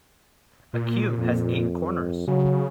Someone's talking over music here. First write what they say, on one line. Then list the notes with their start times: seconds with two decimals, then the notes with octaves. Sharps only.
A cube has eight corners.
0.73 A#2
1.17 F2
2.27 C#3 F#3